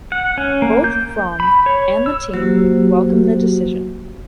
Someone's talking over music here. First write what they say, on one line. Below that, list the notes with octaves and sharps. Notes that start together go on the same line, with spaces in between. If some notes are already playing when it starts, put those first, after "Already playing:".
Both Froome and the team welcomed the decision.
F#5
C#4
A#3
G6
B5
C#5
E6
F#3 A#3 F#4 G4 C5